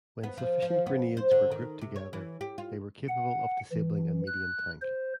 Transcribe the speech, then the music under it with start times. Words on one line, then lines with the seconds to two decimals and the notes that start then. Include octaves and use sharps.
When sufficient grenades were grouped together, they were capable of disabling a medium tank.
0.23 B3
0.38 F3
0.62 F3
0.86 B3
1.17 C5
1.31 D3
1.51 D#3
1.81 C3
1.96 C#5
2.13 E3
2.41 G4
2.58 F4
3.08 F#5
3.72 E3
4.27 F#6
4.81 C5